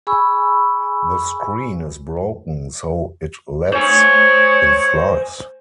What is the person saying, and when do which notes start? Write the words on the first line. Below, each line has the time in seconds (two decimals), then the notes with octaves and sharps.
The screen is broken so it lets in flies.
0.07 G#4 G#5 B5 C#6 E6
3.74 C5 C#5 G#5